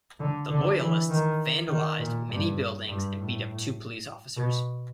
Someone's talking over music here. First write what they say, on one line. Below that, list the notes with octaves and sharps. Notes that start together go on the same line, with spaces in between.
The loyalists vandalised many buildings and beat up two police officers.
D3
D3
E3
D#3
D#3
A#2
G2
G2
A2
B2